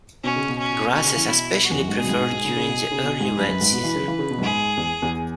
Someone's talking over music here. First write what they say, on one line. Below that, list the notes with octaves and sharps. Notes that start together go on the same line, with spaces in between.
Grasses are specially preferred during the early wet season.
B2 C#4
C#3
B2
C#4
B2 C#4
C#3
E3
B2 E4
F#4
E2
F#2
G#2
B2 G#4
F#2
G#2
B2
G#2
C#3
C#3
B2
C#3
B2
G#2
F#2 B4
F#2
G#2
B2
E3
C#3
E3
C#3
B2
F#2
G#2 G#4
E2
E2